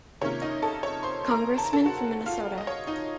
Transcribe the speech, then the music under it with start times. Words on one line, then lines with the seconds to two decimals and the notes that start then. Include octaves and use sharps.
Congressman from Minnesota.
0.21 C3 D#3 A#3 C#4 F4 C#5
0.42 D#4 D#5
0.62 A4 A5
0.83 C#5
1.03 C5 C6
1.30 A#4 A#5
1.58 A5
1.66 A#5
1.73 A4 A5
1.85 F#4 F#5
2.26 F4 F5
2.58 D#5
2.67 C#5
2.87 D#4 D#5